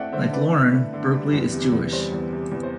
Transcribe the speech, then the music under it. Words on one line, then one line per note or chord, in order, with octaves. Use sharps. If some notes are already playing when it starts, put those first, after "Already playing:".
Like Lauren, Berkley is Jewish.
Already playing: A3 C4 E4 D5 E5 F#5 G5
D3 C5 E5
C4 B4 D5
E4
A3
D3
G3
E2
C3
E2
G3 C5
E2
C3
E2
C5